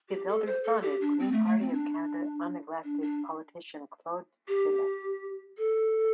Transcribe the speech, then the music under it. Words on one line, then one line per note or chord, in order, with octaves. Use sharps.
His elder son is Green Party of Canada unelected politician Claude Genest.
G4
A4
C5
A4
G4
D4
C4
A3
A3
C4
D4
D4
D4
G4
A4